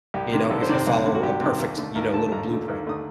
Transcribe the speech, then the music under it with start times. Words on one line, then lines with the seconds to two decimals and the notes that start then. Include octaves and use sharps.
you know, if you follow a perfect, you know, little blueprint.
0.14 C2 G4
0.32 C3 D#3
0.50 C2 A4
0.62 C5
0.69 D#3 D5
0.73 C3 C5
0.87 C2 D5
1.05 C3 D#3
1.15 F#4
1.23 C2 G4
1.41 C3 D#3
1.60 D#2
1.77 D3 A3
1.95 D#2 A#4
2.14 D3 A3 A5
2.32 D#2 A#5
2.50 D3 A3
2.68 D#2
2.86 D3 A3 D#6